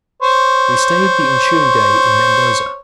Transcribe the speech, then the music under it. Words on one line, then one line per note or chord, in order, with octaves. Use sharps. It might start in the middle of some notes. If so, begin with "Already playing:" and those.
We stayed the ensuing day in Mendoza.
C5 C#5